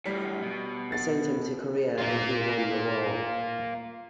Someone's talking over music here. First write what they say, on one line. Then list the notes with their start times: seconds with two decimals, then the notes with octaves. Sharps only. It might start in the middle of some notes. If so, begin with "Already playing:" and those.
I sent him to Korea and he won the war.
0.06 F#2 A2 G3
0.42 B2
0.92 A6
1.98 A#3 F4